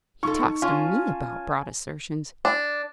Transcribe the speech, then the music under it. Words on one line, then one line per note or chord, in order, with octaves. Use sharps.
He talks to me about broad assertions!
D#4 F4 A4 C#6
C#4 F4 G#5 A5
D4